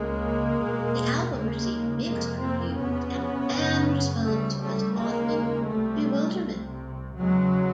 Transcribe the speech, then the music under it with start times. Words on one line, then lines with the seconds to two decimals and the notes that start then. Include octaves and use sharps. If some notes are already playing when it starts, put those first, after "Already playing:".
The album received mixed reviews, and fan response was often bewilderment.
Already playing: C#2 C#3 G#3 A#3
0.58 E2 B2
1.32 D#2 C#3 G#3 A#3
2.05 F2 C3 G#3 A#3
2.41 A#3 C4
2.78 E2 C3 B3 C#4
3.52 F#2 C#3
4.25 D2 C#3 G3 A3
4.62 G3 A3
4.98 D#2 C#3 G#3 A#3
5.72 C2 C3 G3 A3
6.46 C2 C3
7.19 E2 C#3 F#3 G#3